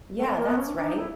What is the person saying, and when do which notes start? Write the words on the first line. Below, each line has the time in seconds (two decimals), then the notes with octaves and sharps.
Yeah, that's right!.
0.16 A3
0.37 A#3
0.47 B3
0.57 C#4
0.68 D4
0.78 D4
0.88 D#4
0.98 E4